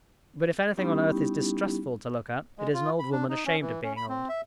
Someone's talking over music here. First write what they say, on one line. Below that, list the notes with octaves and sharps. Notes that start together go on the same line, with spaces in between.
But if anything on earth is distressful to look at, it is an old woman ashamed of being old.
G3 B3 C#4 D#4 E4 G4
G#3
F4
B5
D4
D#4
C#4
E3
C#4
B5
C4
E5